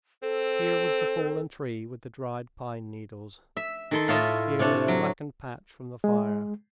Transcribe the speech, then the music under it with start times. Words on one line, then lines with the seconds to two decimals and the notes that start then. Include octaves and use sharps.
Here was the fallen tree with the dried pine-needles, here was the blackened patch from the fire.
0.23 C4 A4
3.57 E5
3.91 D#3 A4 C6
4.08 A2 E4 F4 C#5 D#5 A5
4.59 C3 D4 C#5 A5
4.88 F#3
6.04 G#3